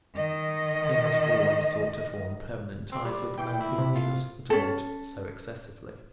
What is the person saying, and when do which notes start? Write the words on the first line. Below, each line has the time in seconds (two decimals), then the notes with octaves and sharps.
He has always sought to form permanent ties with the men whom he has adored so excessively.
0.16 D#3 D#5
2.92 C4
3.04 G3
3.38 E3 G5
3.60 E4
3.78 C3
3.95 F4
4.50 C#4 A4